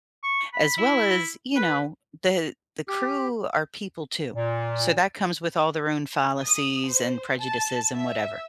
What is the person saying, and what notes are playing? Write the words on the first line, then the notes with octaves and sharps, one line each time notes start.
as well as, you know, the the crew are people too. So, that comes with all their own fallacies and prejudices and whatever,
C#6
B5
E4
B4
G4
A#2
D#6
C5
A5
E5